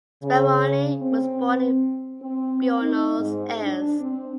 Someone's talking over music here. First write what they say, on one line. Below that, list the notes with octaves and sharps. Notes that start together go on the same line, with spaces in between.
Speroni was born in Buenos Aires.
C#3
C4
C4
D#4
G#2
D4
C4